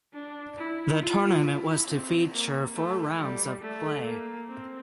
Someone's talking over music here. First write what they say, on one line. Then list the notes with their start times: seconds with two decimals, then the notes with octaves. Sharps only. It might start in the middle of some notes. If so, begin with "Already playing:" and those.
The tournament was to feature four rounds of play.
0.13 D4
0.57 E4
1.00 F4
1.44 E4
1.88 C4
2.31 A#3
2.75 A3
3.19 G3
3.62 A3
4.05 A#3
4.49 C4